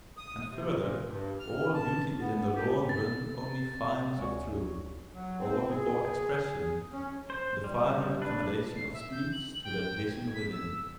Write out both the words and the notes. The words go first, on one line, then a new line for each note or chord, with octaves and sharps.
And further, all beauty is in the long run only fineness of truth, or what we call expression, the finer accommodation of speech to that vision within.
D#6
C3
A#2
G2
F6
A5
B3
G4
A6
D2 G#3 F#4 C#5 D5 E5 G#5 C#6
F#3
C4
G#4
C#4
C5
G3
D4 B4
C7
E5
G6
F#7
G5
G#6
B6
E6